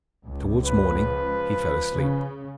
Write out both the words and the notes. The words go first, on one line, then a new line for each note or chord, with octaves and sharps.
Towards morning he fell asleep.
C#2
F3 B4
C#3